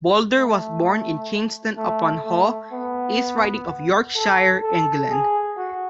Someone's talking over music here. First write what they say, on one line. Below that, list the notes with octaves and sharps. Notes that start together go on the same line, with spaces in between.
Bolder was born in Kingston upon Hull, East Riding of Yorkshire, England.
A3
A3
A3
B3
A4
A4
G#4
F#4